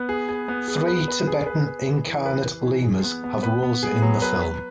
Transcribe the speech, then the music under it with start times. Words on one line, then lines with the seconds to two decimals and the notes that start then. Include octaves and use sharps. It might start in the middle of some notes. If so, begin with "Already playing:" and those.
Three Tibetan incarnate lamas have roles in the film.
Already playing: B3 B4
0.09 G#4
0.29 G#4
0.48 B3
0.68 G#4
0.87 B4
1.08 B4
1.27 G#4
1.46 B4
1.67 B4
1.86 B4
2.06 E3
2.26 B4
2.45 B4
2.65 E3
2.84 G#4
3.04 B3
3.24 B3
3.43 B4
3.63 B3
3.83 G#4
4.02 F#3
4.22 B4
4.42 B4